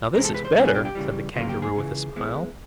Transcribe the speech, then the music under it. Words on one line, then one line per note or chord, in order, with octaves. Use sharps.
"Now this is better!" said the Kangaroo, with a smile.
E2 C3 F3 G#3 C4 A#4
A4
B4
C5
B2 G3 B3 D4 F4 C#5
G#4
G4
G4
C#3 E3 G3
D2 C#3 F#3 A#3 F4
G4
G#4
C#2 C#3 E3
G#2 E3 G#3 B3